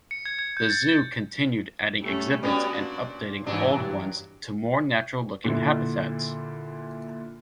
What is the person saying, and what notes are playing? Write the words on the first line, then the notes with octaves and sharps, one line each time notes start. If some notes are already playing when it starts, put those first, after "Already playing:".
The zoo continued adding exhibits and updating old ones to more natural-looking habitats.
C#7
G#6
G#6
G6
A6
G3 A3 C#4
G3 B3 C#4 D4 F#4
A#2
G#2 E3 F#3 D4
G2
A#2 D3 E4